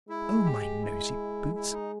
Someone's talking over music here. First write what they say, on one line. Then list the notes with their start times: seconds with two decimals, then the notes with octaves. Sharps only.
O my noisy boots!
0.09 G#3 E4
0.45 G4
0.83 E4
1.55 E4
1.72 D#4